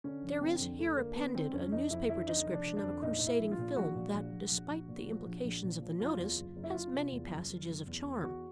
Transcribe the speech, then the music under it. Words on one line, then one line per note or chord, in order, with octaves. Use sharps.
There is here appended a newspaper description of a crusading film, that, despite the implications of the notice, has many passages of charm.
D3 C#4
F1
D3 C4
F2
D3 A3
D3 A#3
D3 B3
D3 C4
F2 C#4
F2 D#4
F2 E4
D3 E4
F2 D#4
F1
D4
D3
D4
F2
A#2 D#4
A#2 D#4
E4
A#1
F4
A#2
A#1 F#4
A#2
A#1
A#1
A#1
A#1
A#2
F3
A#1
A#1
A#2
F3
F#1 F4
E2
F#1
F#1
E4
F#1 F4
C3
E2
F#1
F#1
F#1
E2
E2
E2 F#4